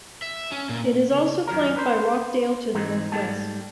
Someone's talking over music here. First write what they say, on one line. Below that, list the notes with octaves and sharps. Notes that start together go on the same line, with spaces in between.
It is also flanked by Rockdale to the northwest.
E5
C#4
A#2
C#3
F#2 D#3 A#4
B4 C5
G#2 E3 C4 D#4
G#2 G3 A3 A5